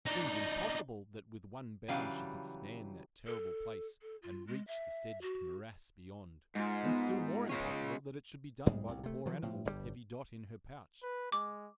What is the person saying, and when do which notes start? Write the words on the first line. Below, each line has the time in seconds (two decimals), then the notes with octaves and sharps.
It seemed impossible that with one bound she could span that terrible place and reach the sedged morass beyond; and still more impossible that it should be done by the poor animal with heavy Dot in her pouch.
0.06 D4 D#4
1.88 C#3 E3 F#3 G3 D4 F5
3.26 A4
4.02 A4
4.23 F4
4.47 G#3
4.68 E5
5.22 F#4
6.55 G#2 G#3 F4
6.85 B3 D#4
7.49 C#3 G#3 C#4
8.66 B1 G#2 G3 G#3
8.88 C2
9.03 C3 A3
9.26 D#3 F3 F#3
9.43 A2 F3
9.65 G1 G2 C3 G3
11.03 B4
11.32 G#3 D6